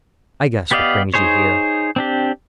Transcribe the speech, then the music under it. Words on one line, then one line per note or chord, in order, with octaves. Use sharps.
'I guess what brings you here.'
B3 G4 D5 D#5 F5
D#4 G#4 C5 C#5
C4 D4 G4